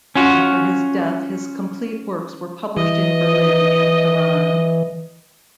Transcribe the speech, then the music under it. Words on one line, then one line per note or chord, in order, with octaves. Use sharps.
After his death his complete works were published in Berlin and Tehran.
C#4 F4 F#4
E3 D#5